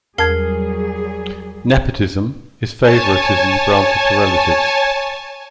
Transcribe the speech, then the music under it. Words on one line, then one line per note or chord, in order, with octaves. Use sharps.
Nepotism is favoritism granted to relatives.
E2 F#3 G3 G#4 A#4 A5 G#6 C7
C#5 G#5 A5